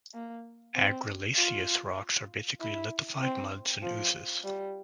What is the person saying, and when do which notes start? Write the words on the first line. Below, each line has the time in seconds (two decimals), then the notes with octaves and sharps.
Argillaceous rocks are basically lithified muds and oozes.
0.14 A#3
0.75 C4
1.37 F4
2.60 E4
3.21 C4
3.82 F3
4.44 G3